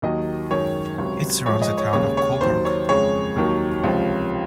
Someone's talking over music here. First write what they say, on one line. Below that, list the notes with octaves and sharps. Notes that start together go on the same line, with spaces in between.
It surrounds the Town of Cobourg.
D#2 D#3 F#3 D#5
F#2 D#3 G#3 C#5
C#2 C3 F#3
G#2 F3 G#3 C#5
D#5
C#5
D#2 C#3 G#3 C#5
C#5
D#2 D#3 F#3 C5
C#5
F2 C#3 G#3 C#5
D#2 D#3 F#3
C#2 C3 F3